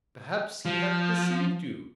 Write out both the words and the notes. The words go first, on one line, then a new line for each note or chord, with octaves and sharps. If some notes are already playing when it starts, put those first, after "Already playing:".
Perhaps he hath deceived you.
F3